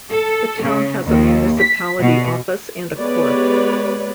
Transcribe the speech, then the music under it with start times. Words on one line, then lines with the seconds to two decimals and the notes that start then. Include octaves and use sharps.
The town has a municipality office and a court.
0.11 A4
0.61 C#3
1.04 D#2
1.61 B6
2.00 B2
2.96 G#3 B3 G4 B4 C#5 D5